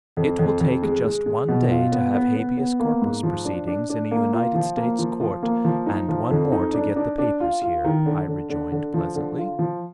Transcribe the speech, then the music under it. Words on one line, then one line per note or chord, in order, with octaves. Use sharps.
"It will take just one day to have habeas corpus proceedings in a United States court, and one more to get the papers here," I rejoined pleasantly.
F2
F2
F2
G#3
G#3
G#3
B2
F4
B3
B3
B3
B3
A#3
G#2
F3
D4
D4
D4
A#3
F4
F3
A#3
F3
F3
A#3
F3
D#4
F3
F2
D#4
D4
D4
D4
F4
F4
D#3
D3
D3
D3
D3
F3
D3
F4
F3